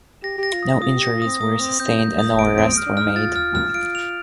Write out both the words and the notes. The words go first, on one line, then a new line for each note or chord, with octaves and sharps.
No injuries were sustained and no arrests were made.
G4 A#6
G4 A#6
F4
D#6
F4 D#6
G4 A#6
F4
C4 D#6
A#3 D#6
C4 D#6
C4 G6
A#3 G6
D#6
D7
C4 D7
F6
D4
F6
D#4
F4 A6
F6
F6
F4 D7
F7